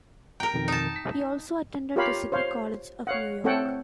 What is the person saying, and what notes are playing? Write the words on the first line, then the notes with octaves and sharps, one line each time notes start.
He also attended the City College of New York.
A#4 G5 A#5
F2 B2 D#3
D#4 A5
B6
F4 G4 A#4 C#5 F5 B5
C5 C#5 F5
C#5 F5 F#5
A3 C4 A4 C#5 F#5 G5